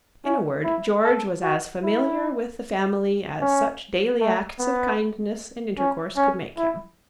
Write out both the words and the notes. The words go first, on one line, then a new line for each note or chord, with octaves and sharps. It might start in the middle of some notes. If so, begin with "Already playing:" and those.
In a word, George was as familiar with the family as such daily acts of kindness and intercourse could make him.
C#4
E4
A4
F#4
E4
C#4
A3
B3
C#4
C#4
E4